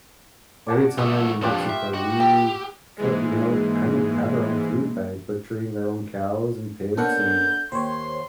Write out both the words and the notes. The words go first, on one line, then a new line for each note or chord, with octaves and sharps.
every time I'm in Mexico, we, cut you know, know, kind of have our own food by butchering our own cows and pigs and,
D5 F#5 A5
A3 B3 E5 C#6 D#6
F2 B3 D4 F4 G4
E5
F#4 D#5
E4 G4 G5
G#2 E3 G#3 A#3
B3 D4 A4 A#4 C#5 F#5 G6
D#2 C5 C#5 C6